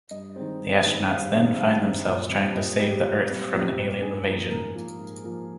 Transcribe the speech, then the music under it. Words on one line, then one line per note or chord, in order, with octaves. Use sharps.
The astronauts then find themselves trying to save the Earth from an alien invasion.
G2 D#5
D#3 G#3 C4
G2
D#3 G#3 C4
G2 F5
D#3 G#3 C4 F5
G2 F5
D#3 G#3 C4
A#2
G3 C4
A#2 D#5
G3 C4 G4
A#2 F4
G3 C4
A#2 G4
G3 C4
G#2 G#4
F3 A#3
G#2 A#4
F3 A#3
G#2
F3 A#3